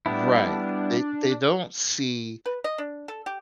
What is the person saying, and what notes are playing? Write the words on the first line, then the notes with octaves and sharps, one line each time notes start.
Right, they they don't see
G3 B3 D4 E4
B4
D#5
D4
A4
G4